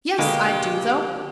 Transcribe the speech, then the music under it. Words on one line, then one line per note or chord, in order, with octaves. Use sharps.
Yes, I do, though.
B2 D3 G#3 A#3 G4